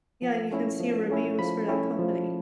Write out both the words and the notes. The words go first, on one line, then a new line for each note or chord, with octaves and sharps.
Yeah, you can see reviews for that company.
F3
A3 C#4 E4
F3
A3 C#4 E4
F3 B5
A3 C#4 E4
F3